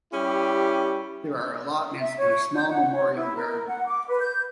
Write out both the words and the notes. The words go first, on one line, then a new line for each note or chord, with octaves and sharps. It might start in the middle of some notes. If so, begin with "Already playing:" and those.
There are allotments, and a small memorial garden.
G3 C#4 E4 G4
E5
C#5
G6
F#5
C#5
E4
A#4
F#5
D6
B4
G6